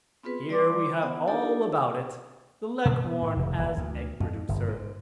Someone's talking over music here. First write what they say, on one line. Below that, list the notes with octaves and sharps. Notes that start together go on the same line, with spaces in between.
Here we have all about it: 'The Leghorn as egg-producer.
B3 C4 F4 G#4 B4
G3 D5 C6 D6
C5
B3 D5 F#5
D4 D#4 F4 G4 A4 D5
B2
B3
A2
F1
D#1
D2
F2
G1
G#2